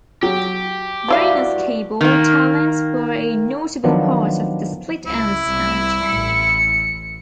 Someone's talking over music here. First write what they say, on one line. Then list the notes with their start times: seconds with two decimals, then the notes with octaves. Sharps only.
Rayner's keyboard talents were a notable part of the Split Enz sound.
0.23 F#3 G4
1.08 G2 F3 E4 F#4 D5 F5
2.01 D#3 A#3
3.84 D#3 F3 F#3 B3 D4
5.07 C#2 E4
5.47 C2
6.05 A1 C#7